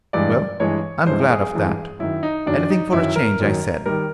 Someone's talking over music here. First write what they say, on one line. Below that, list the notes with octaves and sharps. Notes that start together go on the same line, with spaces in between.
"Well, I'm glad of that--anything for a change," I said.
G2 E3 G#3 D5
G2 E3 G#3 C#5
G2 E3 G#3 C5
G#4
G2 E3 G#3
F#2 D#3 F#3 E4
D#4
F#2 D#3 F#3 D4
D#4
F#2 D#3 F#3 E4
A#4
F#2 D#3 F#3
D#3 G3 A#4